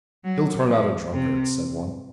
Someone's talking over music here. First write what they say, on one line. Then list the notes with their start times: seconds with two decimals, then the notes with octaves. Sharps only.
"He'll turn out a drunkard," said one.
0.25 F#3
0.69 F3
1.13 C3